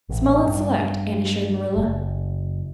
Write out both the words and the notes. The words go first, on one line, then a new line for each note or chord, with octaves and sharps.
"Small and select," Anne assured Marilla.
A1
G2
F#1